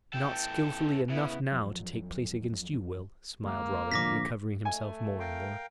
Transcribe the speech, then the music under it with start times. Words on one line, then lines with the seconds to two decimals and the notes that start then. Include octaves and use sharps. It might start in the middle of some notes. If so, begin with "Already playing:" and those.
"Not skilfully enough now to take place against you, Will," smiled Robin, recovering himself more and more.
0.14 E2 A4 G5
1.09 C#3 B3 E4
1.52 E2 F3 F#3
3.44 E1 D2 G#3 A#3
3.92 D#1 A#1 G#2 D3 F3 D6 A#6 B6
4.65 A3 G#5
5.20 A#4 F5 G5